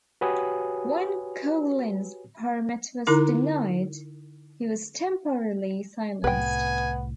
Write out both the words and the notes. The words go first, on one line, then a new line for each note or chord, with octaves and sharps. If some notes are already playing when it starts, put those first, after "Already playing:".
When Coughlin's permit was denied, he was temporarily silenced.
F#4 G4 B4 C#5 G#5 D#6
D3 D#4 E4 A#4 D6
C2 A2 B3 B4 G5 G#5